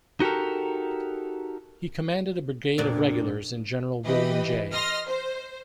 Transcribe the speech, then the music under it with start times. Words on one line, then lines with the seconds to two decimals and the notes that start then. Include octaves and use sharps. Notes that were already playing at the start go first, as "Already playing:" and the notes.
He commanded a brigade of regulars in General William J.
0.20 D#4 F#4 G4 A4 A#4
2.78 F2 A#2 D4
4.04 E3 G4 B4 D#5
4.73 D#5 C6 F6 A#6
5.08 C5